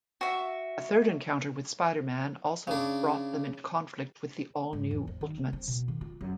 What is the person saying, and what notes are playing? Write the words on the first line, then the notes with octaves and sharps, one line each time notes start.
A third encounter with Spider-Man also brought them into conflict with the All-New Ultimates.
F#4 E5
C#3 D4
G#2
E2
F3
D#3
C3
C4
B2
D#3
F4
F#2